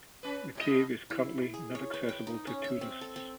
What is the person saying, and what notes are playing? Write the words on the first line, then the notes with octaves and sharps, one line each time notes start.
The cave is currently not accessible to tourists.
C#4 B4
A2 G4 D#5
E4
G#4
C#5
B4
G5
D#4
C#4
E5
C4
A4
C4